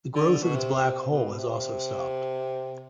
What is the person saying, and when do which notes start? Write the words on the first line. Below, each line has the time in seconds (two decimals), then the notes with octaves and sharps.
The growth of its black hole has also stopped.
0.15 D3
0.43 B2
0.56 C3
0.84 C3
1.12 B2
1.39 C3